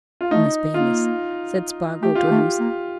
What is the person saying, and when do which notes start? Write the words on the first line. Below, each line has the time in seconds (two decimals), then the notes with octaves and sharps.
"Miss Baylis," said Spargo to himself.
0.21 F4
0.31 A3 D#4
0.74 A#3 F4
2.02 A3 G4
2.15 F4
2.27 A3 G4
2.60 A#3